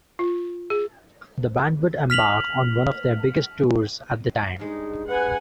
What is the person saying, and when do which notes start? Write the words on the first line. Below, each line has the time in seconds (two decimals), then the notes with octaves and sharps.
The band would embark on one of their biggest tours at the time.
0.19 F4
0.70 G#4
2.10 F6 B6 F7 F#7
4.59 G2 G#3 D#4
5.08 B4 F#5 G#5